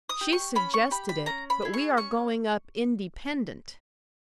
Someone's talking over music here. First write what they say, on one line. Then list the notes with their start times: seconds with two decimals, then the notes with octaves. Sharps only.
"She suggested it, but we are going up independent."
0.09 D#6
0.21 G4
0.33 C#6
0.55 C#4 B5
0.74 C#6
0.91 G4 B5
1.09 B5
1.26 C#4 A#5
1.50 B5
1.62 E4 G#4
1.74 C#6
1.97 C#4 C#6